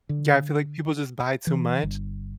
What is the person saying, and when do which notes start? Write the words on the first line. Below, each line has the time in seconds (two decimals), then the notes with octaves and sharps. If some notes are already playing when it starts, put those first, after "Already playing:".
Yeah, I feel like people just buy too much,
0.09 D3
1.47 E3
1.83 G1